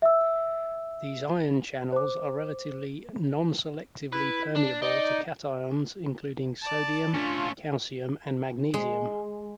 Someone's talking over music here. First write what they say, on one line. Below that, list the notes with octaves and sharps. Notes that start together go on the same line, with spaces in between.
These ion channels are relatively non-selectively permeable to cations, including sodium, calcium and magnesium.
E5 E6
C5 D6
E4 B4
D4
D#4 D5
D5 A5
A3 C#4 D4 F4
G#3